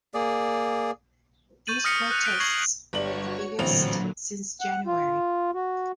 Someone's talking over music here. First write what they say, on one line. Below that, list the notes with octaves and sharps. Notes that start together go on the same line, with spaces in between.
These protests were the biggest since January.
A#3 G#4 D5
C#6 G6 A6 D#7 F#7
D#6 F6 A#6 B6 C#7 D#7
F#6 F7
F6 F#6 B6 C#7 D7 G7
C#6 G#6 A#6 C7 F#7
G1 F#4 C#5 D5 C#6 F#7
A1 A#2 D3 F#3 C4 F7
F#5
F4
F#4